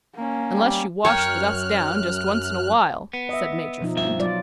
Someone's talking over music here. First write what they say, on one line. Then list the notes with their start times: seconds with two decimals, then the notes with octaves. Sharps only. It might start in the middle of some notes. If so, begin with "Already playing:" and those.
"Unless you washed the dust down just once in a while," said Major Flint.
0.15 A#3 C#4
0.52 G3
1.05 F#2 A#4 C#5 G5 F6 F#6
3.13 B3
3.29 D#5 E5
3.81 B2 F3 D#4
3.97 G2 E5
4.19 F#3 F4 D5